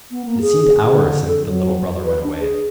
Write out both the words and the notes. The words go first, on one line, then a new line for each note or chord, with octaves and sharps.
It seemed hours since the little brother went away.
B3
A#3
G#4
G#4
D3
A4
F#3
B4
D4
G#4